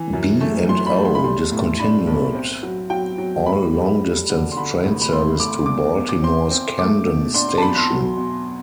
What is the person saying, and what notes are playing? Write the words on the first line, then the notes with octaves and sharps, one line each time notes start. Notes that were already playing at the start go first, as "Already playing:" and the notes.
B and O discontinued all long-distance train service to Baltimore's Camden Station.
Already playing: E3
F#2
A3
F#2 C6
B5
A3
C6
B5
G3 C6
A2
D4 B5
B1
C4
F#3
F#3 G5
F#3
D2 B5
G3
G3
D3
C6
D3 B5
A1
B5
A3 C6
A3 D6
E2 D6
E2
D6
C4 C6
C4
A3 D6
B2
D4 C6
C6
A5
E2 B5
C6
F#3
B2